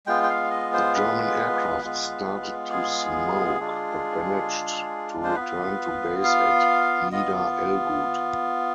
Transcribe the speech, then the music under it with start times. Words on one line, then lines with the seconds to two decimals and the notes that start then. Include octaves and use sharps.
The German aircraft started to smoke, but managed to return to base at Nieder-Ellguth.
0.07 G#3 B3 F4 G5
0.24 G5
0.30 F5
0.51 D#5
0.73 C5
0.96 B4
1.83 G#3 B3 F4
2.71 G#4
3.60 G#3 D4 F4
5.24 C5
5.35 B3 F4 B4
6.24 F5
7.12 B3 F4 D#5